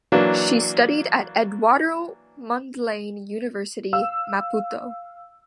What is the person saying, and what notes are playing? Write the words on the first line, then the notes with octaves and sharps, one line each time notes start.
She studied at Eduardo Mondlane University, Maputo.
E3 F#3 A#3 D4
F5 E6